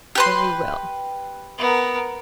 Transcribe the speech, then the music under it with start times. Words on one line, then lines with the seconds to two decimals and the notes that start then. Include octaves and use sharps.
'Very well.
0.15 G4 B4 C6
1.58 B3 A#4